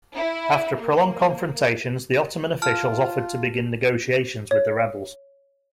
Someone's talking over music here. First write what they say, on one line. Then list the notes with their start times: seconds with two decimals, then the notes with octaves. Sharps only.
After prolonged confrontations the Ottoman officials offered to begin negotiations with the rebels.
0.16 E4
0.77 A#3
2.62 F4 A5 F6
4.51 C#5